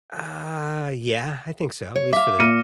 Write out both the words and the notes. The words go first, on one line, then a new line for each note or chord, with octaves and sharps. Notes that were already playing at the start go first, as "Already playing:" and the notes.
Uh, yeah, I think so, at least for the
C#5
E5 F5 D6
A#2 F6 A#6 C#7 D#7